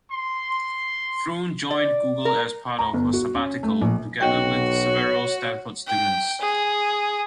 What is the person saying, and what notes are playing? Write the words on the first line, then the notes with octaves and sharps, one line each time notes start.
Thrun joined Google as part of a sabbatical, together with several Stanford students.
C6
D5
A#4
A#5
G1
F#4
C#4
A3
A#1
B1 F#4 C#5 D#5 G5
G5
G#4